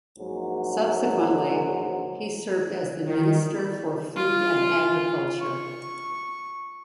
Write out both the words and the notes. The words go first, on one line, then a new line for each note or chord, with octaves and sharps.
Subsequently, he served as the Minister for Food and Agriculture.
A#1 G#2 F#3
D#3
F4
C#6